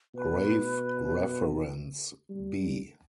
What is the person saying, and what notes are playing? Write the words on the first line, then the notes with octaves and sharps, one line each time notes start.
Grave Reference: B.
B2 B4
G3